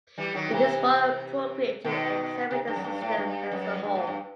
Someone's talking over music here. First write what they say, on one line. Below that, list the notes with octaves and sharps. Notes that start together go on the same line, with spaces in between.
It is more appropriate to examine the system as a whole.
E3 G3
D#3 F#3
C3 E3
B2 D#3
C3
G2
F#2
G2
A2
G2
F#2
G2
A2
G2